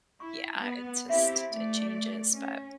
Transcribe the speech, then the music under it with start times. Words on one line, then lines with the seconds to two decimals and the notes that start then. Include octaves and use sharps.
yeah, it just it changes, but
0.20 E4 C#6
0.59 B3
1.09 C4 E4 G4 E5
1.52 A3 D5
2.35 C#4